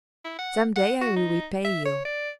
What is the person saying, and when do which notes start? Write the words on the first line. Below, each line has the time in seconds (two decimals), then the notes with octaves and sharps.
"Some day I will repay you."
0.25 E4
0.39 F#5
0.76 F#5
1.02 F#4
1.16 D#4
1.65 E5
1.85 C#5
2.05 D5